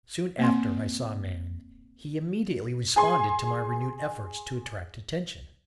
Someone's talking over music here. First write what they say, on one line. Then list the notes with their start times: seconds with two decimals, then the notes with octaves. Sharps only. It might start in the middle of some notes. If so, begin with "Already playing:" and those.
Soon after I saw a man; he immediately responded to my renewed efforts to attract attention.
0.39 A#3 C4 C6
2.96 G#4 G#5 C6